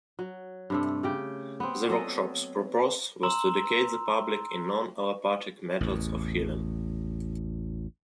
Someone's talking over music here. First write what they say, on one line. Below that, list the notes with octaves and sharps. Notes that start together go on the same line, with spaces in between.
The workshop's purpose was to educate the public in non-allopathic methods of healing.
F#3
G2 C3 A3
C#3 G4 G5
B3 C4
F#3 A4 D#5
A#5 C6 E6
A1 E2